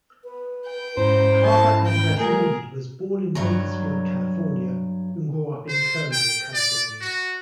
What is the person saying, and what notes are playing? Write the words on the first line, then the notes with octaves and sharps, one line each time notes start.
Carver Andress Mead was born in Bakersfield, California and grew up in Kernville, California.
B4
G5
G#2 C#4 E4 C5 A#5
A5
G5
G3 A3 F4 G#4 A#4
G2 F#3 C#5 A#5
C5
G5
D5
F#4